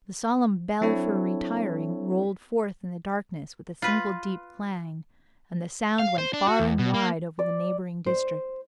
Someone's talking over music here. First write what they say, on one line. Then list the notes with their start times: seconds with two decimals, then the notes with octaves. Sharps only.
The solemn bell for retiring rolled forth in the darkness with a single deep clang, and the sound went far and wide over the neighbouring district.
0.81 F#3 C4 D4 E4 A4 C#5
3.82 F4 B4
5.99 F5
6.18 C5
6.34 D4
6.47 F#4
6.60 E2
6.79 B2
6.94 A#3
7.39 D5
8.06 C5